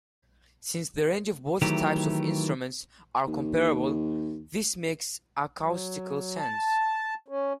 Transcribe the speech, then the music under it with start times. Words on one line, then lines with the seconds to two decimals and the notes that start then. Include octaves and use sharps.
Since the range of both types of instrument are comparable, this makes acoustical sense.
1.62 D#3 E3 F#3 A3 G4
3.27 D#2
5.60 F#3
6.40 A5
7.28 C#4